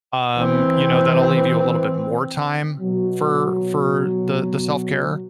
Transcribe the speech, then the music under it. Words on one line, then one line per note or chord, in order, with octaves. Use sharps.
um, you know, that'll leave you a little bit more time for for the the self-care,
E3 C4
B2 F#3